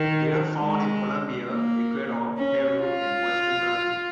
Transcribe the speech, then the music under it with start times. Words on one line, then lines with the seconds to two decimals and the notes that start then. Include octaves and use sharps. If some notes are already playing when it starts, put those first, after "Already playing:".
They are found in Colombia, Ecuador, Peru and western Brazil.
Already playing: D#3
0.62 G#3
1.50 A#3
2.38 C#4
2.82 F4